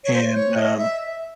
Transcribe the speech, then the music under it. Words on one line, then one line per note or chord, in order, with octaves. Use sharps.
and, um,
C#5
C5
C#5
D#5
E5